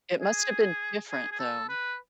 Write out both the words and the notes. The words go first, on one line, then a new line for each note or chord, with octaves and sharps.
It must have been different, though.
G#4
G#4
G#4
A4
B4